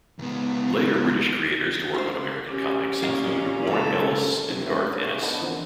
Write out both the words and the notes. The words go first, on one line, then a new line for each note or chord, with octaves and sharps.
Later British creators to work on American comics include Warren Ellis and Garth Ennis.
C#2 B3
F4 C5
C#4 G4
A#2 D#3 C#4 F5
C#2 A4
C3 B3
G#3 A3 B3 C#4 D4 E4
D4
G#4 C#5 E5 F5 C#6 D6
B3 D4 A4 D#5 F#5 B5
D3 E3 F3 C4 A#4 C5